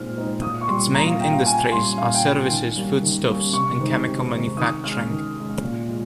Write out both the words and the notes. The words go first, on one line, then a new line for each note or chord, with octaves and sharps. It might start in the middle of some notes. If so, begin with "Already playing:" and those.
Its main industries are services, foodstuffs and chemical manufacturing.
Already playing: A#2 G#3 C4 D#4 F6
G#3 C4 D#4
A#2 D#6
C#6
G3 C#4 C6
A#2 A#5
F5
G3 C#4 G5
F5
A#2 G#5
G3 C#4 C6
A#2 F5
G5
G3 C#4
D#3
G3 A#3 C#4
D#3
G3 A#3 C#4
C3 C#6
D#3 G#3 C4 D#4
C3
D#3 G#3 C4 D#4
D#3 D#6
G#3 C#4 F6
D#3
G#3 C#4
A#2
F3 G#3